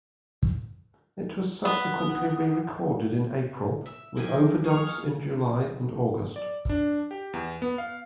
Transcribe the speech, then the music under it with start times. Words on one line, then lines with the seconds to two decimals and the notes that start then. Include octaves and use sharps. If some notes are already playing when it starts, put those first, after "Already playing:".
It was subsequently re-recorded in April, with overdubs in July and August.
1.65 B3
3.86 E5
4.17 F3 A#3 G4 G#5
4.64 G#4 C#6 F6
6.36 D5
6.69 D4
7.11 G4
7.33 E2
7.62 B3
7.78 F5